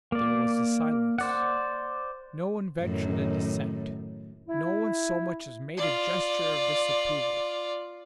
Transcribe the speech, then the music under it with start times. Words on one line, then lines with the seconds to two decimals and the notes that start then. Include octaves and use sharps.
There was a silence; no one ventured a dissent, no one so much as made a gesture of disapproval.
0.12 A#3 D5
1.18 C5 D5 F#5
2.81 F#2 A2 D#3
4.48 E4
5.77 F4 D5